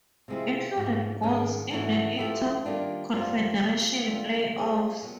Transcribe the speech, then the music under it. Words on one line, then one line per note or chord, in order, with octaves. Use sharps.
Included goals in the Inter-confederation play-offs.
C3 F3 G#3 C4 E4
G#2 F3 G#3
G#2 D#3 G#3 C#4
G#2 E3 A3 C#4 F#4
F3 A3 C4 E4 G4
D#3 G3 A#3 D4 F4
F#2 D#3 G3 C4 F4
C#3 F3 G#3
F2 D3 G3 C4 F4
G3 C4 F4 G#4
A#2 F#3 B3